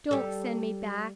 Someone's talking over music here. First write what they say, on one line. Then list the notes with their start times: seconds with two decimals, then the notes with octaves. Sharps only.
Don't send me back!
0.11 G3 A4